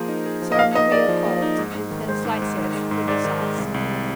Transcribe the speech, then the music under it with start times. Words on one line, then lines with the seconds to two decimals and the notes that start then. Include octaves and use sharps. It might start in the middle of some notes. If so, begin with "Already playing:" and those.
Serve the veal cold, in thin slices, with the sauce.
Already playing: F3 A#3 G#4 A#4 C5
0.09 D#4
0.26 G#4
0.42 F3
0.52 D#5
0.59 A#3 F5
0.75 D#4 D#5
0.92 G#4 D5
1.09 F3
1.25 A#3
1.42 D#4
1.58 G#2
1.75 G#2
1.91 D#3
2.08 G#3 C5
2.25 G#2
2.42 G#2
2.58 D#3
2.74 G#3
2.91 G#2
3.08 G#2 D5
3.25 D#3
3.41 G#3
3.58 C2
3.74 C2
3.91 C3